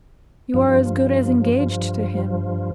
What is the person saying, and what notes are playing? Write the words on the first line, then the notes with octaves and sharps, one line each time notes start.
You are as good as engaged to him.
G2 F3